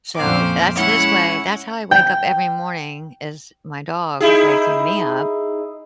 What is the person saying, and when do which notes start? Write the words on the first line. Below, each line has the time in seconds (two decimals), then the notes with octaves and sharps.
So that's his way That's how I wake up every morning is my dog waking me up.
0.15 F2 A#2 C#4 C5 F5 D6
0.75 G#3 C#4 E4 C#5 F#5
1.91 G5
4.20 D#4 E4 G#4